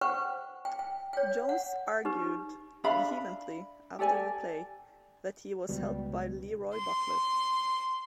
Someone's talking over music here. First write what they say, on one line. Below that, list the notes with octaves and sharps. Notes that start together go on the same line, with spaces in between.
Jones argued vehemently after the play that he was held by LeRoy Butler.
B4 C5 F#5 G5 C#6
G5
G5
C#5 G5
F#5
D#4 G4 B4
D4 E5 F5 B5
G4 A4 D5 G#5
C#2 B2 G3
C6